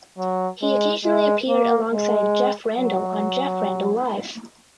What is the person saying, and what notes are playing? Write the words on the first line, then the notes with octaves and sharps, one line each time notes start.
He occasionally appeared alongside Jeff Randall on "Jeff Randall Live".
F#3
G#3
G#3
A#3
G#3
F#3